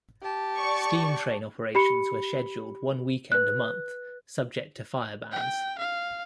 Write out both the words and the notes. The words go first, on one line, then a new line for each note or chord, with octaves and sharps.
Steam train operations were scheduled one weekend a month subject to fire bans.
G4 A5
D5 C#6
G4 B5 C#7
B4 F#6
G5
F5